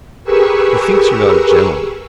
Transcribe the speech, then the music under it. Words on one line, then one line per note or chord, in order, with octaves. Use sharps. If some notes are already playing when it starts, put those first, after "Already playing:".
He thinks you're not a gentleman.
G4 G#4 A#4 B4 C#6 E6